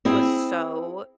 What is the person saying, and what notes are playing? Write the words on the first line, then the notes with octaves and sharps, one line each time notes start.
was so
C4 E4 G#4